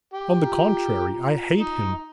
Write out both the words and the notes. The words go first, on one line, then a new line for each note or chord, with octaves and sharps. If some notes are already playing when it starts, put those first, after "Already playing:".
On the contrary, I hate him!
G4
F4 A#5
D#4